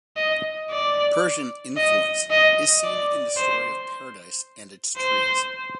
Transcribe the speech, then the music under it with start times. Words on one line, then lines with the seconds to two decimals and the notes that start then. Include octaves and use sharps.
Persian influence is seen in the story of Paradise and its trees.
0.17 D#5
0.70 D5
1.76 D#5
2.30 D#5
2.84 D5
3.37 C5
4.97 C5